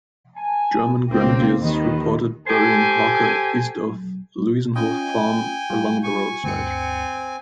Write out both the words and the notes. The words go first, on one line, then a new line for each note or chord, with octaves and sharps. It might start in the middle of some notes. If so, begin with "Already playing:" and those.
German Grenadiers reported burying Hawker east of Luisenhof Farm along the roadside.
G#5 A5
C#2 A#3 C4 G5
D#2 D#3 B4 D#5
G4 A4 C5 G#5
C#4 F4 D#5 G5 G#5
G3 F4 G4
G#5 C#6
D2 G2 C4 G#5 C#7